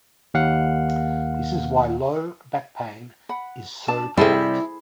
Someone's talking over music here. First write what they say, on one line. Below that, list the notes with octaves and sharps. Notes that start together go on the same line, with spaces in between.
This is why low back pain is so prevalent.
D#2 F5 F#5
F#5 B5
D4 A5
C3 G3 E4 G#4 A4 C5